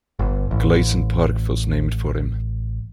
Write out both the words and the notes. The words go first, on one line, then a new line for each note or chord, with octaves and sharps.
Gleason Park was named for him.
G1
A1